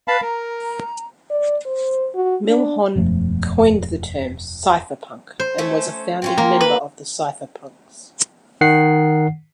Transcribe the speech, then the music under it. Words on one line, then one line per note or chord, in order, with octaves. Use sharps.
Milhon coined the term cypherpunk and was a founding member of the cypherpunks.
B4 F5 A5 B5
A#4 A#5
D5
C5
F#4
D4
E1 F#2 F3 A3
C5
A3 C#4 A4
C4 C#4 F4
A#3
B4
D#3 F#5 C7